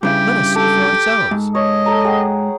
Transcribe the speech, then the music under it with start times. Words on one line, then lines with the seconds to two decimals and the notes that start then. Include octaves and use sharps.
"Let us see for ourselves."
0.03 G2 C#3 E4 G4
0.55 G4 A4
1.31 G#2
1.55 C#5 D#5
1.86 A4 A#5
2.05 G#4 F#5 G5